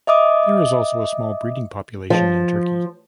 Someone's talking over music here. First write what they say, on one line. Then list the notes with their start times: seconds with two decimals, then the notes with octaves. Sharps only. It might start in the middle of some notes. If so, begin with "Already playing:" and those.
There is also a small breeding population in Turkey.
0.07 D#5 E5 D6 D#6
2.10 F3